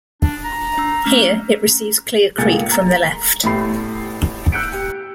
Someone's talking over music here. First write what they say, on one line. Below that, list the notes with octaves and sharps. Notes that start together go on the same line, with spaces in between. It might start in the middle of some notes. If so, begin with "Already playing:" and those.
Here it receives Clear Creek from the left.
D4
A#5
D4 E6
A3 C#4 F6
F1 C#2 A#3 G#4 A6 C#7
A#5
A1 E2 A3 G4 B5 C7
E6 F#6 G6 C#7 D7
G4